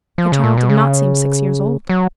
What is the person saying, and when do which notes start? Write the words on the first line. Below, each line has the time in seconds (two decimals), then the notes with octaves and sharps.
The child did not seem six years old.
0.18 F3
0.32 C#3
0.44 A#2
0.58 B2
0.69 C#3
1.89 F#3